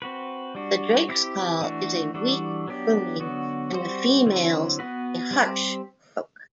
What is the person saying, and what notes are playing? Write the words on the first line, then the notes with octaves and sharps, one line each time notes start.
The drake's call is a weak crooning, and the female's a harsh croak.
C4 F#4 B4
G3 D4 F#4
C4 E4 G4
E3 A3 D4 F#4
E3 G3 D4 F#4 A4
F#3 B3 D4 G4
D3 F#3 B3 F#4
G3 C4 F#4 C5
D3 F#3 C4 E4
B3 F#4 B4
G3 C4 G4